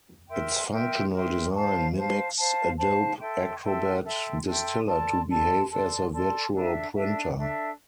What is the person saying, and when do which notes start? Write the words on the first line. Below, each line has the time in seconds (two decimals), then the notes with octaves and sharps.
Its functional design mimics Adobe Acrobat Distiller to behave as a virtual printer.
0.28 A#4 E5 G5 C6
0.70 A#4 E5 G5 C6
1.12 A#4 E5 G5 C6
1.53 C5 F5 A5
1.95 C5 F5 A5
2.37 C5 F5 A5
2.78 C5 F5 A5
3.20 A4 E5 G5 C6
3.61 A4 E5 G5 C6
4.03 A4 E5 G5 C6
4.45 A4 E5 G5 C6
4.87 A4 D5 A5 C6
5.29 A4 D5 A5 C6
5.70 A4 D5 A5 C6
6.12 A4 D5 A5 C6
6.53 D4 A4 E5
6.95 D4 A4 E5
7.37 D4 A4 E5